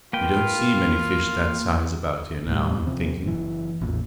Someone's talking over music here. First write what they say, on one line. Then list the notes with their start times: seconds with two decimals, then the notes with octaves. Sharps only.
You don't see many fish that size about here now, I'm thinking.
0.13 A#3 F4 B4 G5
2.47 C#2 A2 G3
2.87 C3 F3 C4
3.24 F#1 A#2 E3
3.81 A1 E2 A#2